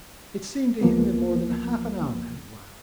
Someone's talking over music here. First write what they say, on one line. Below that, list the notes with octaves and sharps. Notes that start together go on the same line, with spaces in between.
It seemed to him that more than half an hour had elapsed.
C#2 F3 A#3 B3